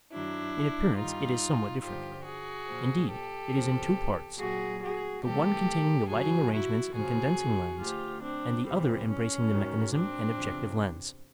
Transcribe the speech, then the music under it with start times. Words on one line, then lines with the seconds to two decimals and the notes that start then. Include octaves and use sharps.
In appearance it is somewhat different; indeed, it is in two parts, the one containing the lighting arrangements and condensing lens, and the other embracing the mechanism and objective lens.
0.13 F#2 D#3 F#3 D4 E4
0.98 G2 D#3 G3 D#4 F4
1.83 G2 D3 F3 F4 G4
2.26 F#4 G#4
2.68 A#2 F3
3.11 G4 A4
3.54 E2 C3 F3
4.39 A#2 F#3 F#4 G#4
4.81 F#4 G#4
5.24 D2 C3 E3 G3 G4 A4
6.09 F#2 C#3 F#3 F#4 G#4
6.53 E4 F#4
6.94 D#2 C#3 F3 F#4 G#4
7.80 D2 D3 F3 F4 G4
8.23 C4 D4
8.66 E2 C3 E3 G3 C4
9.09 C#4
9.51 G#2 D#3 F#3
9.93 C4 D4
10.36 E2 C3 F3